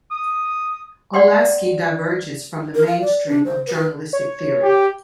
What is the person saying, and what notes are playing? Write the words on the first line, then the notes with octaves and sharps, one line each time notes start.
Olasky diverges from the mainstream of journalistic theory.
D#6
D5 F#5 G5 C6
A#4
F5
D5
D4
C5
B4
C#5
G4